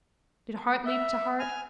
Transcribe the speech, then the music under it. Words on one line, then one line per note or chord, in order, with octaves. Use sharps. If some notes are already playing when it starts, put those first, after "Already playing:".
Did heart leap to heart?
E5
G#5 F6